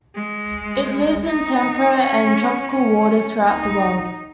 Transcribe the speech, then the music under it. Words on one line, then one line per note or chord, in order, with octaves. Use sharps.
It lives in temperate and tropical waters throughout the world.
G#3
D#4
C#4
C#4
D#4